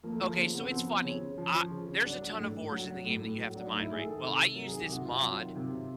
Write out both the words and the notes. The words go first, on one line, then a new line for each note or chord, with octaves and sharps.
Okay, so it's funny. Ah there's a ton of ores in the game that you have to mine right. Well, I use this mod
F3 A#3
A3
F3 A#3
C#3
C#3 B3
C4
F3 B3
F3
C4
C#3 C#4
C#3
F3
F3
C#3
C#3
F#3 D4
F#3
A2
A2
F#3
F#3
A2
A2
F#3
F#3 D4
A2 D#4
E4
A2 G#4
D#3 A4
C3
C3
F#3 A#4
D#3 G#4
G4
C3 F#4
C3 F4
F#3
D#3
C3
C3